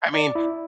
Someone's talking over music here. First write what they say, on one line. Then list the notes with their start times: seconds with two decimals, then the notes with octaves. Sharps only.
I mean,
0.14 D5
0.35 E4